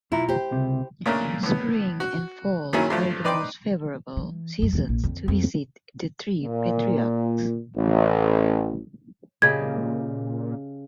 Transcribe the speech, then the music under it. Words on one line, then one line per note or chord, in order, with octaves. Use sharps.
Spring and fall are the most favorable seasons to visit th Three Patriarchs.
B1 E4 F4 A#5
G4 C5
C#2 C3
A#2 C#3 A3 C#4 D4 A#4
A2 B3
F#4
A#2 D#3 F#3 C#4 E4 G#4
G2 F3 A3
D#4 B4 D5 G5 C6 D6
E3
G#1 F#2
D#2 E3
A#1
F2 D3
F2 D4
A#2
A1
A#2 C#3 G4 D#5 G#6